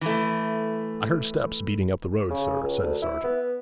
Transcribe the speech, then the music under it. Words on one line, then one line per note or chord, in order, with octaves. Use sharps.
'I heard steps beating up the road, sir,' said the sergeant.
E3 A3
C#3
C#2
D2
E4
B3